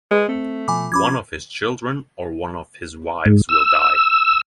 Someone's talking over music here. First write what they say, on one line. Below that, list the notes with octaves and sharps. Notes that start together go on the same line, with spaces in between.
One of his children or one of his wives will die.
G#3 B4
A3 C4
B2 F3 G#5 B5 D6
F3 C#4 B5 D6 G#6
G#2
E6